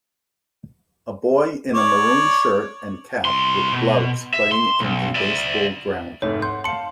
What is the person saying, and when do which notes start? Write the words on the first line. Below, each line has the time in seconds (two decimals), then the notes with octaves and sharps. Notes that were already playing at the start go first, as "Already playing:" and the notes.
A boy in a maroon shirt and cap with gloves playing in a baseball ground.
1.74 C#5 D5
3.25 C2 C6
3.73 B2
4.34 E5
4.52 C6
4.80 B1
5.15 D5 E5
6.22 F1 G#2 A3 C#5
6.42 F#5 C6 G6
6.64 F5 A5 C6 C#7